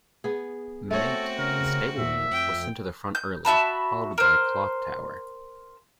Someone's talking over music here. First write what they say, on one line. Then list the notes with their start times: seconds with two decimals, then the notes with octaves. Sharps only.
Mate, his stablemate, was sent to the front early, followed by Clock Tower.
0.24 B3 G#4
0.91 A3 C4 F#4 A4 C#5
1.38 C#3 A#4
1.98 A#2 E5
2.31 F2 G5
3.15 G6
3.45 F#4 E5 A5 B5
4.18 A#4 C5